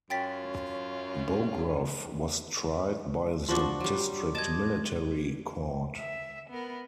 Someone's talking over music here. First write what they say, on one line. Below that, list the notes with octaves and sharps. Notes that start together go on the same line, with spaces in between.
Bogrov was tried by the district military court.
F#2 F4 C#5 G5 A6 B6
F3 D4 F#4 C6 D6
F#3 G3
D#5 A5 D6 G#6 A6
E5
B3 A#4